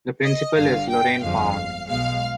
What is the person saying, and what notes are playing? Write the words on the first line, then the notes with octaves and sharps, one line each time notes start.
The principal is Lorraine Pound.
D#5
G1 G2 D3 F5
G5
G1 F2 D3 G#3 F5
B1 B2 G#3 F5